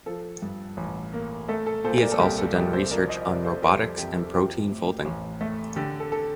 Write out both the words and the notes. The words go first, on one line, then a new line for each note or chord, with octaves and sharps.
He has also done research on robotics and protein folding.
F3 A4
G2
A1
A#3
A3 A4
A4
A#2 A4 C5
A#4 D5
A4
C2 G4 A#4
A4
C2 G4 A#4
A4 C5
F3 A#4 D5
C5 D#5
D#5
C3 A#4 D5
A4 C5
F2 G4 A#4
A4
F2 G4
A4
F3 G4 A#4
A2
A1
A3
D3 G4
A4
A4